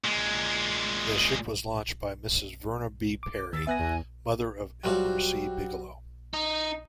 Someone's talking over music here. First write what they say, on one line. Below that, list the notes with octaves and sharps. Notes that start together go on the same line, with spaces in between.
The ship was launched by Mrs. Verna B. Perry, mother of Elmer C. Bigelow.
A#2 G#3
D6
D#2 E6 A6
B3 E5 G#5 F#6 A#6
E2
F#3 G3 C4 F4 F#4
D#4